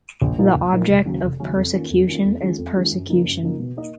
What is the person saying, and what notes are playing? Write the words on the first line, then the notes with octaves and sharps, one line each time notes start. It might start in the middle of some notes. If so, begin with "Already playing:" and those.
The object of persecution is persecution.
A#1
A#2 F3 A#3 D#4
A#1
A#2 F3 A#3 D#4
F1
D#2 C#3 F#3 C#4
F1
D#2 C#3 F#3 C#4
F2
D#3 A#3 C#4 F4
F2
D#3 A#3 C#4 F4
F2
D#3 G#3 C#4 F4
F2
D#3 G#3 C#4 F4
F#2
C#3 F3 A#3 D#4
F#2
C#3 F3 A#3 D#4
B2
A#3 D#4 A#4 D#5